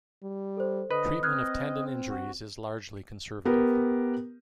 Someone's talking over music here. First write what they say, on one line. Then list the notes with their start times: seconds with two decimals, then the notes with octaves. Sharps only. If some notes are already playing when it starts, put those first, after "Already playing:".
Treatment of tendon injuries is largely conservative.
0.23 G3
0.57 A4 C5
0.91 D3 B4 D#5
1.23 C4 D#5 F6 F#6 G#6
2.09 F#4
3.45 B3 G4 A#4